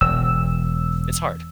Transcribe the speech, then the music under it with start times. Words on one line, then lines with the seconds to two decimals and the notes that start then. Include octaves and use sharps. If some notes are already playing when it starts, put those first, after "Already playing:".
it's hard.
0.01 E1 E6